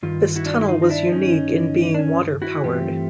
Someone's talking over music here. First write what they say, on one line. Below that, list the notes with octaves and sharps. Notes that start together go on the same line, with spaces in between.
This tunnel was unique in being water-powered.
G2 D#3 F4
E4 F#4
D4
D#4
E4
D#4 F4
D#4
D4 E4
C#4 D#4
D4
C#4
E4 F#4
G2 E3 A3 C4 F4 G4